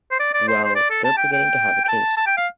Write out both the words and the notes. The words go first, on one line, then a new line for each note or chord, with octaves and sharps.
Well, they're beginning to have a case.
C5
D5
D5
C5
C5
D5
A4
A5
G5
G5
G5
A5
A5
G5
F5